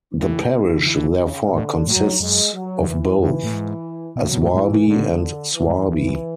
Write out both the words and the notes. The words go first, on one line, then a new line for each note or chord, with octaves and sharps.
The parish therefore consists of both Aswarby and Swarby.
A2 E3
E3
C#3
A2 D3
A2 F#3
F#2
G#2
F#2 G#3
F#3
F#2
E2 E3
F#2 E3
A2
G#2
B2
A2 F#3
B2
A2
G#2 E3
A2
A2 D3
E3
G#2
E2 E3
F#2